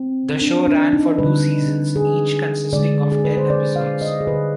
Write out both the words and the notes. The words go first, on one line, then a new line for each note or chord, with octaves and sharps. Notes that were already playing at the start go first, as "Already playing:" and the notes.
The show ran for two seasons, each consisting of ten episodes.
Already playing: C4
D4
D4
D#4
D3 G3 B4
G#4
D3 G#3 D5
G#4
B4
C5
D5
F5
D#5
G#4
D3 G3 B4